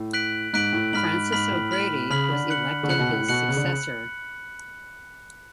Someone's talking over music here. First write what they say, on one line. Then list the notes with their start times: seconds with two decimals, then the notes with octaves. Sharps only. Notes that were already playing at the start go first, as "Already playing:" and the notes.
Frances O'Grady was elected his successor.
Already playing: A2
0.13 F#6 B6 D7 F#7
0.53 G#2 F#6 B6 D7 F#7
0.73 A2
0.93 G#2 B5 F6 B6 F#7
1.32 G#2 B5 F6 B6 F#7
1.51 A2
1.71 B5 F6 B6 F#7
2.10 C#3 B5 F6 B6 F#7
2.31 D3
2.50 F#6 C#7 F#7
2.83 D3
2.89 C#3 F#6 C#7 F#7
2.99 B2
3.09 A2
3.19 A2
3.28 B2 F#6 C#7 F#7
3.49 C#3
3.56 D3
3.64 C#3